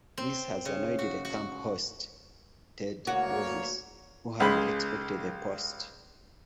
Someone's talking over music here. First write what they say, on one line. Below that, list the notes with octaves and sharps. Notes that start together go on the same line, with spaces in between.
This has annoyed the camp host, Ted Bovis, who had expected the post.
C4
C#3
F#4
F#4
D2 A#3 F#4 C#5
C#2 G#3 B5